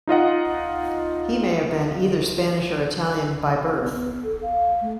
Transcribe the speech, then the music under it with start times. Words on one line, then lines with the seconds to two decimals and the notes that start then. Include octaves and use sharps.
He may have been either Spanish or Italian by birth.
0.07 D#4 F4 D#5 F#5
3.81 B3
4.23 A4
4.42 F5
4.81 A3